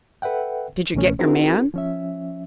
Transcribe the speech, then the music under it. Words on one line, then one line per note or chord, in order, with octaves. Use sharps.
"Did you get your man?"
A4 B4 E5 F#5 G5
C#2 B2 E3 A3 C#4
C4 D#4 E4 F#4 G#4 A#4
F3 C#4 E5